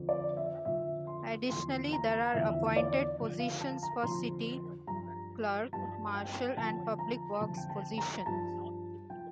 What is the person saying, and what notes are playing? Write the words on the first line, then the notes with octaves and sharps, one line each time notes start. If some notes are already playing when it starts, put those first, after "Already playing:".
Additionally, there are appointed positions for City Clerk, Marshall, and Public Works positions.
Already playing: F2 D3 F3
D5
E5
F2 D3 F3 E5
C6
E2 D3 F3 C6
A#5
E2 D3 F3 E5
D5
F2 D3 F3
F5
A5
A#5
F2 D3 F3 C6
G2 F3 A#5
G2 F3 A5
G5
F2 D3 F3 A5
A#5
F2 D3 F3 A5
G5
A5
A#5
G2 F3 A5
F3 G5